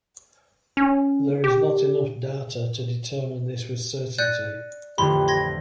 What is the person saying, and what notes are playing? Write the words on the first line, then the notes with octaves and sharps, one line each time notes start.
There is not enough data to determine this with certainty.
C#4
G4
D5 F#6 G6 A#6 C#7 D#7
A1 F2 D3 G4 B5 C6
C6 G#6 A#6